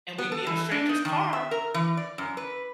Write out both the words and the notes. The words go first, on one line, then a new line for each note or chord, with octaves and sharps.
and we'd be in a stranger's car
B3
A4
E3
D4
D#4
D#3
E5
A#4
E3
D5
F#2
B4